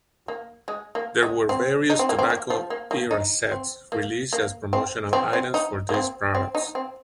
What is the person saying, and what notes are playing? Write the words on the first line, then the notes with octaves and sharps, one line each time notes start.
There were various tobacco era sets released as promotional items for these products.
A#3
G#3
A#3
G#3
C4
D#4
C4
A#3
C4
A#3
F3
A#3
A#3
D#4
C4
A#3
A#3
C4
C4
C4
D#4
A#3
C4
C4
D#4
C4